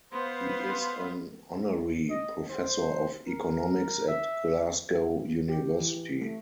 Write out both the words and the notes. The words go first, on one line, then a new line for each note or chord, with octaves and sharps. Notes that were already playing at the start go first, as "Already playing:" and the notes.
He is an honorary Professor of economics at Glasgow University.
B3 B4 C5 F5 C6
D#5
C5
A#4
E5
G4
E3
A3